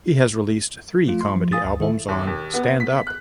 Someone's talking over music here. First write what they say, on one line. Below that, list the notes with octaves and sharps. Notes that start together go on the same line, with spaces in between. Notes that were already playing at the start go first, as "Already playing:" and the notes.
He has released three comedy albums on Stand Up!
F3 A3 F4
C6
F3
F5 G#5 D#6 A6
D2
D#3 E4 A4 E5
D#2
D#2
B3
B6
F#6